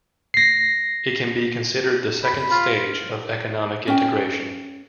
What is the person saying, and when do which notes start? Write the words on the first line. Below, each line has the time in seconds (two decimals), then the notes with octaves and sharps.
It can be considered the second stage of economic integration.
0.34 A#6 C7
2.24 B5
2.51 F4
3.88 C#4 G5